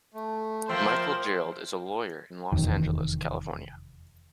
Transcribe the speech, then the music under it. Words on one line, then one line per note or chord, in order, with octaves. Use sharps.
Michael Gerald is a lawyer in Los Angeles, California.
A3
F3 A#3 C5 E5 G5 C6 E6
F1 E2 D#3